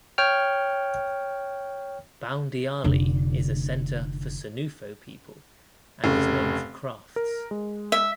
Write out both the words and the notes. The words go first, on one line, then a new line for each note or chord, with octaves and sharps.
Boundiali is a centre for Senoufo people and is known for crafts.
C#5 G5 F6
F1 D3
F1 C#3
A#4
G#3
E5